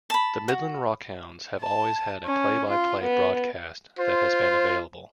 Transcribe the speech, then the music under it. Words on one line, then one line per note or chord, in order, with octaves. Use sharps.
The Midland Rockhounds have always had a play-by-play broadcast that has been available.
A5 B5
F#4
A5
C#4
F4
B3
F4 C5